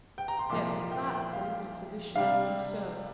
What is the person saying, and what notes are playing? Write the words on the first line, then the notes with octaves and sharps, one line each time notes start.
"Yes; but that is a little seditious, observe."
G5
A#5
C6
C2 A#2 F3 A#3 D6
C6
G5
G5
F5
C3 G3 D4 F5